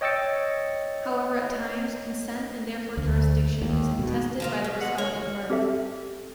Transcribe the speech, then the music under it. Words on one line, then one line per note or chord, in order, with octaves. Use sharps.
However, at times consent and therefore jurisdiction is contested by the responding party.
C#5 D#5 G5 E6 A6 C#7
D2
D#2
B2
F3 A#3 F4
B2
F#5
A#4 C#5
C4 G4 A4 E5